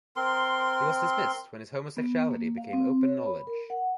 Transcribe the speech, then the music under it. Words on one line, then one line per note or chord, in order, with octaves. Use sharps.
He was dismissed when his homosexuality became open knowledge.
C4 A#4 C6
B3
A#3
F5
C4
C#5
B5
A#4
F#5